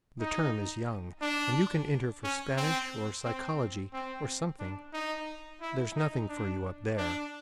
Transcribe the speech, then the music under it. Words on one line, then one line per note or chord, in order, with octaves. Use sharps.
The term is young, and you can enter for Spanish, or Psychology, or something. There's nothing for you up there.
D#4
D4
C#4
C4
C4
C4
D4
D#4
E4
D#4
D4
D4